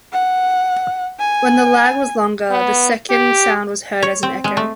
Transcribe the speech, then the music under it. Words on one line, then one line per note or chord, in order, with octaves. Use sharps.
When the lag was longer, the second sound was heard as an echo.
F#5
G#5
B3
G4
C#5
C4
G#3
A3